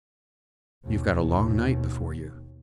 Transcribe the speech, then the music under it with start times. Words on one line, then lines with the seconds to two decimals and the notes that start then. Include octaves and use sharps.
"You've got a long night before you."
0.84 D#2 B2